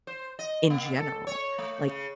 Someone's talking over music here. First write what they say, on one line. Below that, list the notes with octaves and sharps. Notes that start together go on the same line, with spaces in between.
in general. Like,
C5
D#5
A#3
A4
C#5
A3
C#3